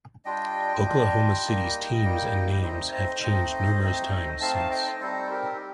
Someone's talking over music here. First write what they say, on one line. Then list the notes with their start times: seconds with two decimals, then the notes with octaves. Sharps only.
Oklahoma City's teams and names have changed numerous times since.
0.25 G3 D4 F4 D#5 G5
0.85 G3 D4 F4
1.44 G3 A#3 D#4
2.04 G3 A#3 D#4
2.62 A3 C4 D#4 C5 D#5
2.93 C5 D#5
3.22 A3 C4 D#4 C5 D#5
3.82 A3 C4 D#4
4.41 A3 C4 D#4 F5 A5
4.55 F5 A5
4.71 D#5 G5
4.86 C5 D#5
5.00 G3 C4 D#4 A4 C5
5.30 G4 A#4